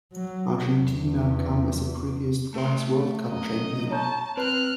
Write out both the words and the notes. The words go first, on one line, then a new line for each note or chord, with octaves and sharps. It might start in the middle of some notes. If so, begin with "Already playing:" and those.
Argentina come as a previous twice World Cup champion.
F#3
E2
A3 C6
F#2 D#5
C#5 A5 A#5 G6
C4 B4 F6 F#6